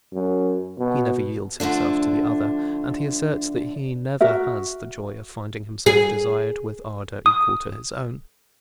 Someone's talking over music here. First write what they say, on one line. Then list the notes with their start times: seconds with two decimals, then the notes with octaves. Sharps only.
He never yields himself to the other, and he asserts that he never has the joy of finding himself desired with ardor equal to his own.
0.13 F#2
0.78 B2
1.60 D3 F3 A3 D4
4.21 F#4 A#4 E5
5.86 G#4
7.26 D#6